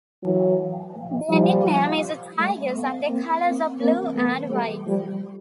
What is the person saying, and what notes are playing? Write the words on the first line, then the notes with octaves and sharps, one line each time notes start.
Their nickname is the Tigers and their colors are blue and white.
E3 F#3
F3 G3
G3 A3
A3 B3
A#3 C4
A#3 C4
A#3 C4
A3 B3
G3 A3
F3 G3